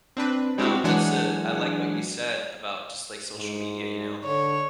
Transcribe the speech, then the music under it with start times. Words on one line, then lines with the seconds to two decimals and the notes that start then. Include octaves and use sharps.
No. That's, uh I like what you said about just, like, social media, you know,
0.17 C4 D4 B4
0.58 G3 G#3 C4 D4 E4 F#4
0.84 E3 F#3 G#3 D4 F#5 G#5
3.37 G#2
4.25 D3 C#5